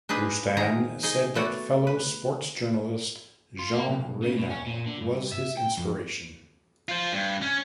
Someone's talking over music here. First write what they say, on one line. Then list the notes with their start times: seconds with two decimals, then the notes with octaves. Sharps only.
Roustan said that fellow sports journalist Jean Raynal was his inspiration.
0.09 D4 D#4 G#4 B4
0.57 C3 D#3 G#4 A#5
1.03 D#4 G#4 D#5
1.35 A3 B3 F#4 D5
1.87 B4
3.59 F4
3.74 A#3
3.90 B1
4.23 C#3
4.37 B2
4.50 C#4
4.66 A#2
4.86 D3
5.01 G2
5.32 E5
5.57 G5
5.77 F2
6.89 F4 C5
7.13 G2
7.42 C#4